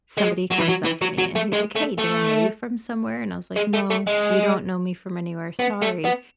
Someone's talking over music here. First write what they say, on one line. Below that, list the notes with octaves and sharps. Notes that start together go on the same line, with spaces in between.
somebody comes up to me, and he's like, "Hey, do I know you from somewhere?" And I was like, "No, you don't know me from anywhere, sorry."
G#3
F#3
E3
F#3
E3
F#3
F#3
A3
G#3
A3
A3
G#3
A3
A3
G#3
B3
A3
B3